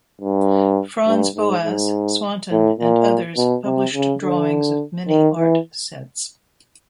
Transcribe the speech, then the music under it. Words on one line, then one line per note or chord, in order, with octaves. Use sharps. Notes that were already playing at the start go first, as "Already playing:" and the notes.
Franz Boas, Swanton and others published drawings of many art sets.
G2
G2
G#2
G#2
A2
A#2
B2
C3
C#3
D3
D#3
E3